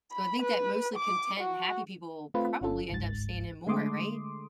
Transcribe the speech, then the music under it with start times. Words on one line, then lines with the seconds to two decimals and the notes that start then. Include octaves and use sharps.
So, I think that mostly content and happy people probably end up staying in more, right?
0.12 B5
0.43 B4
0.96 D6
1.40 F#4
2.34 A3 C4 F4 B4
2.61 G1 C#4 F4 A4
2.90 G1 C#2 G#2 A6
3.67 D3 G#3 A3 C6 D6 D#6